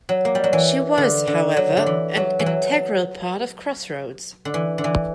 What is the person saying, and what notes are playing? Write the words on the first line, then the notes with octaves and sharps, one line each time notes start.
She was, however, an integral part of "Crossroads".
F#3
A#3
G3
F#3
E3
D3
D3
F#3
D3
E3
F#3
E3
F#3
D3
E3
D3
E3